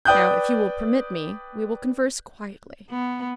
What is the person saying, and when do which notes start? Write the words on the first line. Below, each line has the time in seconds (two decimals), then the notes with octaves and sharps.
Now, if you will permit me, we will converse quietly.
0.05 B4 D5 G5 D#6 F#6 G6
2.90 B3